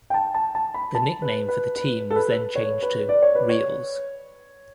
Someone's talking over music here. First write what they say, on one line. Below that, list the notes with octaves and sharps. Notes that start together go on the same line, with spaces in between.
The nickname for the team was then changed to "Reales".
G5
A5
A5
A5
B5
A5
B4
B4
B4
A4
B4
C#5
B4
D5
C#5
B4
C#5